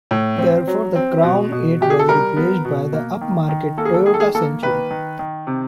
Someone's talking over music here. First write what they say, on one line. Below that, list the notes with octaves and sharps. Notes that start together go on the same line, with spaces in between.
Thereafter the Crown Eight was replaced by the upmarket Toyota Century.
A2
C4
F#3
C4
B2
B2
B2 G4
G#4
A4
G3 A#4
B3
B2
A#3
D#3
D#3
A#3 A4
G#4
A4
D#3 G#4
A4
G#4
A#3 A4
D#3 B4
D#3
D#3
C3